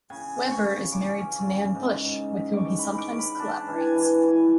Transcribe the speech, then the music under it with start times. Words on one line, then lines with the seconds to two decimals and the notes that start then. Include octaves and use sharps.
Weber is married to Nan Bush, with whom he sometimes collaborates.
0.10 C#3 G#5
0.37 C#3
0.51 C#6
0.65 C#3
0.92 C#3 D6
1.20 C#4
1.46 C#3
1.75 G#2
2.03 G#2
2.30 G#2
2.53 G#2 C#6 D6
2.78 B5
2.84 G#2
2.98 D6
3.12 C#4
3.18 B5
3.39 D4 A5
3.67 E3
3.81 G#5
3.95 E3
4.22 E3 G#5